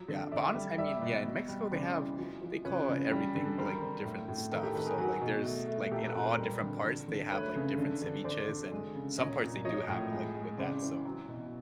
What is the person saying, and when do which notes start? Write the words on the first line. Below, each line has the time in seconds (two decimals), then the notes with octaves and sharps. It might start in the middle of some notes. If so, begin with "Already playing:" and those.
yeah, but honest I mean, yeah, in Mexico, they have they call everything, like, different stuff. So, like, there's like, in all different parts, they have, like, different ceviche's, and some parts, they do have it, like, with that, so
Already playing: F3 F#3
0.08 D3
0.32 D3 D5 E5
0.55 G3
0.78 G3 D5 E5
1.02 B2
1.25 B2
1.48 G3
1.71 C#3 C5 D5
1.95 E3
2.18 F3
2.42 F3
2.65 C#3 B4 C#5
2.89 C#3
3.11 G3
3.35 D3
3.58 G3 A#4 C5
3.82 D3
4.05 A2
4.28 A2
4.52 D#3 A4 B4
4.63 G4 A4
4.75 D#3 A4 B4
4.87 G#4 A#4
4.98 F#3 F#4 G#4
5.22 B2
5.45 A3
5.68 A3
5.91 A#2 G4 A4
6.07 A4 B4
6.15 A#2
6.22 A#4 C5
6.38 G3
6.62 D3
6.85 D3
7.08 D3
7.31 A3 B4 C#5
7.55 C#3
7.78 D3
8.02 D3
8.24 D3 C5 D5
8.48 D3
8.72 G#3
8.95 C#3
9.18 A#2 C#5 D#5
9.42 A#2
9.65 F3 C#5 D#5
9.88 A2
10.12 G#3
10.35 G#3
10.58 C#3 C5 D5
10.82 E3
11.05 F#3
11.29 B2